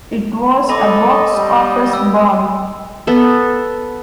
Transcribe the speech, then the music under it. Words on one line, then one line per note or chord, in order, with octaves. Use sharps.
It was a box office bomb.
A4 D#5 B5 D6
G3
E6
B3 A4